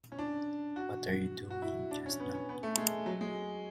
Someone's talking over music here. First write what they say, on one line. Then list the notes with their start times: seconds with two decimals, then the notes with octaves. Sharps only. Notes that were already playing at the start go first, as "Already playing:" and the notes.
What are you doing just now?
0.12 C#4
0.19 D4
0.76 F#4
1.50 F#4
1.62 E4
1.91 D4
2.06 C#4
2.20 B3
2.34 C#4
2.49 B3
2.63 A3
2.78 G#3
3.06 F#3
3.21 G#3